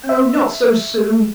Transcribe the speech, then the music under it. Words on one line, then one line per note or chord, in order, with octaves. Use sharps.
'Oh, not so soon!
E5